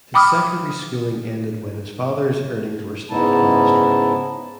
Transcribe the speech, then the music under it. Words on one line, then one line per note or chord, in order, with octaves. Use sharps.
His secondary schooling ended when his father's earnings were stopped by a strike.
G5 B5 D6 D#6 F6
G#2 C#3 B3 D#4 E4 A5